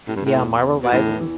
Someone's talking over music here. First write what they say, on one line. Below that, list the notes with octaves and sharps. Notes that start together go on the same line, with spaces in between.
Yeah, Marvel Rivals
A2 C3
G2
A2
E2
E2
B2
A2 E3
E3